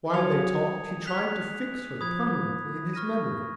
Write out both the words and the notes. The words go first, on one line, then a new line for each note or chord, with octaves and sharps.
While they talked he tried to fix her permanently in his memory.
F#3 G#5 D#6 G#6 C#7 F7
F#6 B6 F7
F3 B5 D#6 G#6
C#6 F6 A#6 D#7